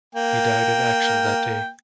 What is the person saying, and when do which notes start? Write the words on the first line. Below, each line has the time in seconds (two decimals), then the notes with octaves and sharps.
He died in action that day.
0.15 A#3 G5